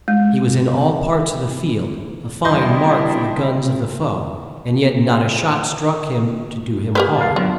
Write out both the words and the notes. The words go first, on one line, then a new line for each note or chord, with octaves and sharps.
He was in all parts of the field, a fine mark for the guns of the foe, and yet not a shot struck him to do him harm.
G#3
G3 D4 E4 D#5 C6 G6
G4 G#4 A#4 B4
A4 F5
F#3 B3 D4 F4